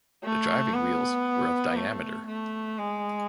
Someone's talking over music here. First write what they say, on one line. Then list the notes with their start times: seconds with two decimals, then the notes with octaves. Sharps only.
The driving wheels were of diameter.
0.24 A3
0.74 B3
1.76 A3
2.27 A3
2.78 G#3